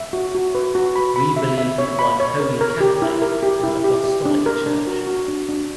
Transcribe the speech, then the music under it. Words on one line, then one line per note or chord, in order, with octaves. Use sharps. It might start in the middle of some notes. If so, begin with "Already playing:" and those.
We believe in one holy catholic and apostolic Church.
Already playing: E5
F#4
F#4
B4
F#4
B5
B5
E5
E5
C#5
B5
C#5
A#4
A#4
G4
E4
A#4
G4
E4
G4
G4
D4
A#4
D4
F#4
F#4
D4
D4